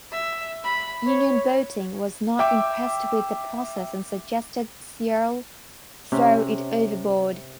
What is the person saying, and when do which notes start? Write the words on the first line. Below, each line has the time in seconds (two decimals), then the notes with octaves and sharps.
Union Boating was not impressed with the process and suggested Searle throw it overboard.
0.11 E5
0.64 B5
1.06 C#5
2.39 E5 G5 D6
6.12 C3 C#4